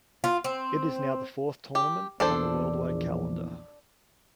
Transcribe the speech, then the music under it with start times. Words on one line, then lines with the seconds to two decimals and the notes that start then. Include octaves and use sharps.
It is now the fourth tournament on the worldwide calendar.
0.24 F4
0.44 C4
1.75 G4
2.20 A#1 E2 D4 A4 C5